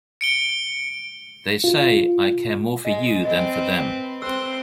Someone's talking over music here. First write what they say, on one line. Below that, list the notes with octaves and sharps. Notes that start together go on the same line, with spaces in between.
They say I care more for you than for them.
C#7 D7 G7
F4
G#3 D#5
C4 B4 D#5
C4 C5 C6 E6